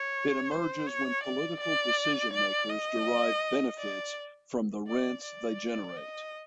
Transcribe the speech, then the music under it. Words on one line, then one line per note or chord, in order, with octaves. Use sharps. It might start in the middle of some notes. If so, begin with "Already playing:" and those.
It emerges when political decision makers derive benefits from the rents they generate.
Already playing: C#5
C5
C#5
D5
D5
D5
D#5
D5
D5
D5
D#5